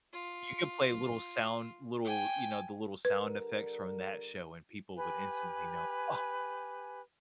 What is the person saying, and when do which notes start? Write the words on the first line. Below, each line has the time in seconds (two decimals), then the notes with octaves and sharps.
You could play little sound little, you know, the little sound effects from that show, and people would instantly know, "Oh,
0.13 F4
2.05 G5 G#5
3.05 D3 G3 A#4 B4
4.97 G4 B4 G#5